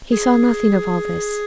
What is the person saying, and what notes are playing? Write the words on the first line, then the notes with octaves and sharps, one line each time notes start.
He saw nothing of all this.
G#4